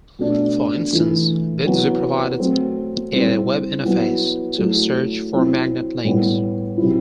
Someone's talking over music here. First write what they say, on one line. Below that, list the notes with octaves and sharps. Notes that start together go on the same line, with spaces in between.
For instance Bitzi provides a web interface to search for magnet links.
B2 A3 D4
E3 A3 E4
F#3 B3 E4
F#3 A3 C4
C3 G3 C4 E4
F#3 B3 E4
F#3 A3 E4
F#3 C4 E4
A2 G3 B3 E4
C3 F#3 C4 E4